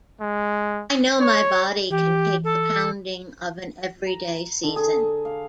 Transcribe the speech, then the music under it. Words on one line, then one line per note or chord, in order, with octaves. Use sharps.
I know my body can take the pounding of an everyday season.
G#3
C#5
E3 G4
A4
A#5
D3
G#4
F5